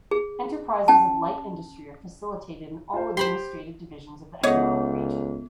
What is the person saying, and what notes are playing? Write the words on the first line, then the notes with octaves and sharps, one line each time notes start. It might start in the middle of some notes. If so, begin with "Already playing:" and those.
Enterprises of light industry are facilitated in all administrative divisions of the economic region.
G#4
C#4 G5 A5
F4 C5
G4 C5 B5 C6
C#2 B3 A4 C#5 D#5 F#5